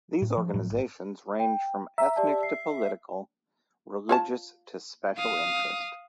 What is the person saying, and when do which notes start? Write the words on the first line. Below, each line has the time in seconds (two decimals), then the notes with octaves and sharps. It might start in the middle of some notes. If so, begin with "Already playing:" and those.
These organizations range from ethnic to political, religious to special interest.
0.22 A2
0.37 F3
0.54 A2 F3 F#3
0.70 G#1
1.40 G5
1.98 E5 A#5
2.16 G4 D5 A5
2.43 C7
4.09 F4 C#5 A5
5.18 F5 D#6